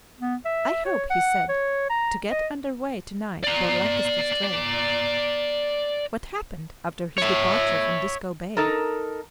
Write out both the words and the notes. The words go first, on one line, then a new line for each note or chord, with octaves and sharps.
'I hope,' he said, 'to get under way to-night for Lancaster Strait.' What happened after his departure from Disko Bay?
B3
E5
C#5
F#5
C#5
A#5
D#5
D5 A#5
C#5 E5
D#4 A4 A#4